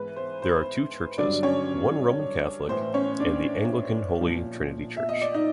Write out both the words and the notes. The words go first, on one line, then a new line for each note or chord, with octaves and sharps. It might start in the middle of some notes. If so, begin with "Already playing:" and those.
There are two churches, one Roman Catholic, and the Anglican Holy Trinity Church.
Already playing: G#2 E3 B4
C5
C5
G2 D3 F#3 D4 D5
C#4 C#5
A2 E3 C5
C#4 C#5
D4 D5
A#2 F3
E5
D#5
D5
D#4 D#5